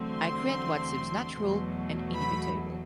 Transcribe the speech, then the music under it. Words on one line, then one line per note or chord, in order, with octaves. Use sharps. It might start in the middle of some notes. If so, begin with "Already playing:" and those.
I create what seems natural and inevitable.
Already playing: E2 D3 F#3 A3 C4
C6
E2 B2 F#3 A3
B5